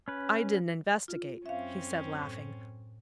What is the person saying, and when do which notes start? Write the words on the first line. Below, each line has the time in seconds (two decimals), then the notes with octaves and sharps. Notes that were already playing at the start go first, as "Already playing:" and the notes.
"I didn't investigate," he said, laughing.
0.08 C#4 B4
1.08 F4
1.46 F#2 C4 C#4 E5 F5
2.22 A2